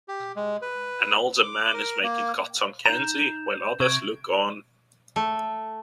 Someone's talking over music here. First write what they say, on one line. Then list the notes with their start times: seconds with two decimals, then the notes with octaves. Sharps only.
An older man is making cotton candy while others look on.
0.08 G4
0.36 G#3
0.62 B4
1.43 D6
1.74 A#4
2.04 A#3
2.86 D#4 A#5 G6 E7
3.80 C3 C#6 G#6 D7
5.16 A3